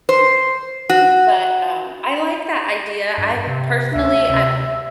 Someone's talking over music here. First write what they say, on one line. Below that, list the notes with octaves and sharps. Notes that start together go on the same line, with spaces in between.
but, um, I like that idea, I personally I
C5
F#4
G2
C3
D2 E5
C3